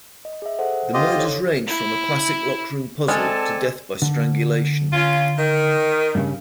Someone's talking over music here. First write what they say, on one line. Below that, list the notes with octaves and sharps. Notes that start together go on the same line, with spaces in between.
The murders ranged from a classic locked-room puzzle to death by strangulation.
D#5
G#4 E5
A4 C5 F#5
F4 G4 D#5
D#4 A4 C#5
E4
G#3 C4 C#4 A4 D5 G#5 A5
D3
C#4 F4
D#3
G2 C#3